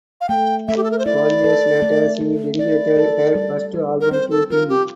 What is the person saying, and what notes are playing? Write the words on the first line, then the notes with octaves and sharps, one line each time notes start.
Twelve years later she dedicated her first album to him.
F5
A3 G5
A3 E5
G4
A4
A#4
C5
E4 D5
A4
A3
A3
E4 D5
A4
G3
G3
A#4
C4 C5
A4
F4 A#4
G4